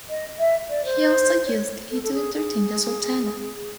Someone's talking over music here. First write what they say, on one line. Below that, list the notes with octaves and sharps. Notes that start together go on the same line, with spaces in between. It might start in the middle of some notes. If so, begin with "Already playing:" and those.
He also used it to entertain the Sultana.
D#5
E5
D5
C5
C#5
A4
A4
G#4
G#4